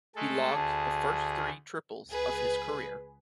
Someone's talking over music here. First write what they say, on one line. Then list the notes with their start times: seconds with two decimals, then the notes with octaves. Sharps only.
He logged the first three triples of his career.
0.16 G#3 A3 A4
0.54 D2 G#4 A5
2.09 C#2 G#4 B4